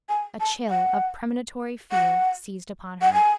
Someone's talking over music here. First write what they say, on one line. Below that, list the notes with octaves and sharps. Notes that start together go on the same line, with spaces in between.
A chill of premonitory fear seized upon her.
G#5
A5
F#5
F#5
F#5
G#5